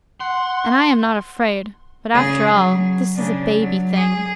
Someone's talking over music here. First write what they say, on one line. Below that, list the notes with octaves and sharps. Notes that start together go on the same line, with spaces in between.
And I am not afraid. But after all, this is a baby thing!
F#5 C6
C#3 G#4
F#3
C#3 D4
F#3
G#4